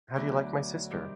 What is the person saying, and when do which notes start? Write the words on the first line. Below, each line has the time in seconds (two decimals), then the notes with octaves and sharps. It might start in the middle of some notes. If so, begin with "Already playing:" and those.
How Do You Like My Sister?
0.16 D2 D3 F#3 B3
0.90 C3 D#3 G3